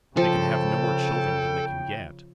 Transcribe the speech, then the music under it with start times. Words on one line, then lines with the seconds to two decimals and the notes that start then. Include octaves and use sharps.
They can have no more children than they can get.
0.17 C#3 F3 A4 G5